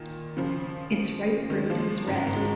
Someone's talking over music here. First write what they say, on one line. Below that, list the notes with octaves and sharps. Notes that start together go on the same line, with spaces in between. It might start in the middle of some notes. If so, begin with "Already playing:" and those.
Its ripe fruit is red.
Already playing: A#2 D#3
C#3 F3
D#3 G#3
F3 A#3
G#2 C#3
G#2 C#3
G#3